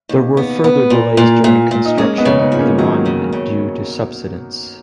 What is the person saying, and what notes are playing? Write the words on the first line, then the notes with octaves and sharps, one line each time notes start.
There were further delays during construction of the monument due to subsidence.
D#2
B3
B3
A#2
A#2
A#2
A#2
D#4
G#3 A#3 C#4
B3 D#4
C#3
B3 D#4
F3
A#3 C#4
D#3 F#3 G#3
C#3
C#3